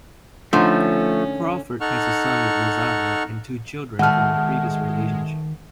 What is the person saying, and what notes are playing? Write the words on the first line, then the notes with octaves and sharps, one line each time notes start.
Crawford has a son with Lozada and two children from a previous relationship.
D3 F3 A3 C#4 D#4
D#4 A4 F#5 C#6 F6
B2 D#3 G#3 A3 F#5 F6